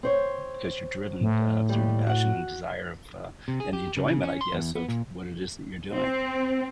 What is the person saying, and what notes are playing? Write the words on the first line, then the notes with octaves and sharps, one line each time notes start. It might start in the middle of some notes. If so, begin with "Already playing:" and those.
because you're driven, uh, through the passion and desire of, uh and the enjoyment, I guess, of what it is that you're doing.
C4 C5 C#5
A2
D#2 G3
F#4 F#5
C3
G#4
G4
C#3
C#3
C#4
C6
E2
B3
A#2
C4